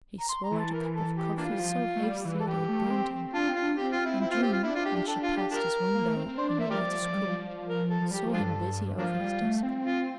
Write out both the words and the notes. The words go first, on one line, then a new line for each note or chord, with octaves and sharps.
He swallowed a cup of coffee so hastily that it burned him, and June, when she passed his window on her way to school, saw him busy over his desk.
A#5
C6
A#5
E3
A5
A#4
A4
G4
A#3 D4 F4
G3
F3
A3
G3
E3
A4
E3 G4
A3
A#3
C4
D4 F4
C4
F4
D4
C4 G4
F4
E4
E4
F4
G4
F4
D4 E4
F4
G4
G4
D4 A4
F4
G4
D4 G4 A#4
A#3
A3
C4
C4
D4 C5
D5
A#3 E5
A3
G3 G4 A#4 D5
F3
F3
G3
F3
A#4
A4
F3
G3 G4
F3
D4 F4 A4
G2
F3 A#3 D4 F4
G3
A3
C4
F4